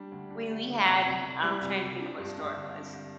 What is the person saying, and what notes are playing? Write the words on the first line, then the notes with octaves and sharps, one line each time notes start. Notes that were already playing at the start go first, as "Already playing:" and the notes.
we we had I'm trying to think of what store it was.
Already playing: G3 D4
D2
D4
G3
D3
C2
C2
C2
G3
C2
C2
D4
G2
G2
D3
D4